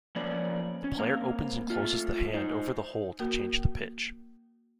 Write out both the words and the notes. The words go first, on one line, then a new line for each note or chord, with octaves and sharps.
The player opens and closes the hand over the hole to change the pitch.
F3 A#3 C#4 B4 C5 D5
C#4
A#3 C4 F5
A3 F4
D#4 C5
A#3 F#4 A#4